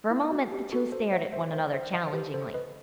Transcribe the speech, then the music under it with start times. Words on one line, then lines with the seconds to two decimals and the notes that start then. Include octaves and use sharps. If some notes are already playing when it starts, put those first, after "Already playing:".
For a moment the two stared at one another challengingly.
0.11 E4
0.31 F#4
0.52 G4
0.72 F#4 A4
0.92 A4 C5
1.12 C5 E5
1.32 C5 E5
1.53 C5 E5
1.73 C5 E5
1.94 D#5 F#5
2.07 C5
2.13 G4 B4
2.34 A4 C5
2.54 B4 D#5